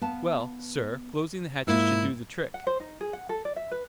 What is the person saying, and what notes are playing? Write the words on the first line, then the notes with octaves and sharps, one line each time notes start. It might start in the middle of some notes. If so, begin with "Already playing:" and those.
"Well, sir, closing the hatches should do the trick."
B3 F5 A5
G#2 A#3 E4 F4
F#5
C5
D#4
G#4
F#5
A4
D5
E5
B4